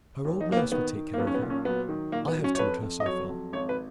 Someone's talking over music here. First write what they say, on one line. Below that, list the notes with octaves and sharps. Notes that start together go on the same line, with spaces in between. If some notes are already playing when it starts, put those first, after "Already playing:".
Her old nurse will take care of her, I have taught her, so far.
D#2
D#4
D#2 A#3
B3
D#3 B3
D#3
A#3
B1 B3
C#4
B3
A#2
C#4
F#3 B3
D#3
A#2 A#3
B3
F#3
C#4
C#5
F2 B4
F2
D#5
F#3 C#5
F2
G#1 C#5
B4